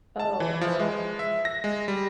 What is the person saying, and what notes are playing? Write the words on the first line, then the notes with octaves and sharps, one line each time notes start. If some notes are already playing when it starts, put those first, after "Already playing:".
Oh, no.
A5
E3
F3
G#3
E5
A#6
G#3
G3